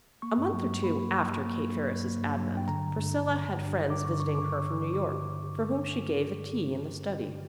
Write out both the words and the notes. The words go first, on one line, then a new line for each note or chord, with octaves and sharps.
A month or two after Kate Ferris's advent, Priscilla had friends visiting her from New York, for whom she gave a tea in the study.
A#3 C#6
G2
F#3
G2
A#3 B5
G2
F#3 C#6
G2
A#3
G2
F#3
G2
A#3
G2
F#3
G2
G5
D3 A#5
G1
G2
G1
D3
G1
G2
G1
D3 D6
G1 C#6
G2 C#6
G1 D6
D3 C#6
G1
G2
D6